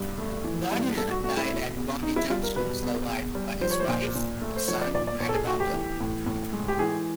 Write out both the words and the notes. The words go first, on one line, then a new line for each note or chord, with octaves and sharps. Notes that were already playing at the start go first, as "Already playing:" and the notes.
Gardiner died at Bondi Junction, survived by his wife, a son and a daughter.
Already playing: G2
A3
E3
G2
G2 A4
F#4
A3 F#4
E4
B2
E2
E2 D#4
E4
G3 F4
A#4
B2 B4
E2
E2
G3
F3 C5
C#5
C5
A#2
A#2
A3
C5
F3 C#5
D5
A#2 D5
D5
A#2 C#5
A4
G#4
A3 F#4
G4
E3
A2
A2
G#3
G4
E3 G#4